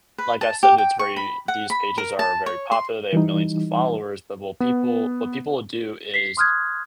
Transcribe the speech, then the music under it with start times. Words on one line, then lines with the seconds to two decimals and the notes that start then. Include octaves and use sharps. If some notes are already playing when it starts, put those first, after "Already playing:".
like I said, it's very these pages are very popular, they have millions of followers, but what will people what people will do is
0.18 B4
0.41 A5
0.63 G4
0.78 G5
0.99 C#6
1.16 B5
1.48 F#5
1.70 B5
1.98 A#4
2.19 A5
2.46 C#5
2.72 C6
3.13 E3 G3 D#4
4.60 B3
6.14 B6 C7
6.37 C6 D#6 F6 F#6 G#6